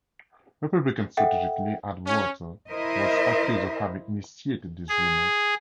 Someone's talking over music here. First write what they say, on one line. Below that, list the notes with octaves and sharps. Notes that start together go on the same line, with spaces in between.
Republican strategist Lee Atwater was accused of having initiated these rumors.
A4 E5 F#5 G5
C#4
E4 A#4 C5 D#5 E5
G#4